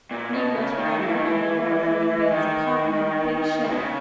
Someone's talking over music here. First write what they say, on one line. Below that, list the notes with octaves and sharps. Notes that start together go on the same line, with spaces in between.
Negroes were at work on the wharf loading bales of cotton on a big ship.
A#2
B2
C#3
D#3
F#3
E3
D#3
E3
D#3
C#3
B2
C#3